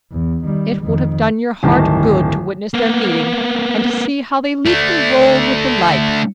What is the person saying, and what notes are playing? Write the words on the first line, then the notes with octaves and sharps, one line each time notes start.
It would have done your heart good to witness their meeting, and to see how they leaped and rolled with delight.
E2
D#3 G3
F2 D#3
D1 G2 D#3 A5
A#3 B3
A3 D4